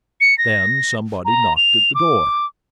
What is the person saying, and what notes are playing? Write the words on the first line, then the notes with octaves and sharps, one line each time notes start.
Then somebody knocked at the door.
C#7
A#6
A#5
F7
D6